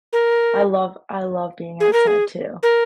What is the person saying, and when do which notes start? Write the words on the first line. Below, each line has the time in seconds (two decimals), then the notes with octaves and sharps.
I love I love being outside too. You
0.13 A#4
1.80 G#4
1.93 A#4
2.07 G#4
2.63 A#4